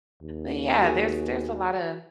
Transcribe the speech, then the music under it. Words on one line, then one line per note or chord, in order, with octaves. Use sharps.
but, yeah, there's there's a lotta
D#2
F#4 G#4 G#5